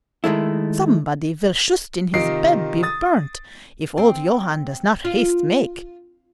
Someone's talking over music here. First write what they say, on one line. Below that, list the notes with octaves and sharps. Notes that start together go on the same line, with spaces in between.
"Somebody vill shust in his bed be burnt, if old Johann does not haste make!"
D#3 G#3 A3 E4
C3 D#3 F4 D#5 C7 D7
D#6 A6
C4
F4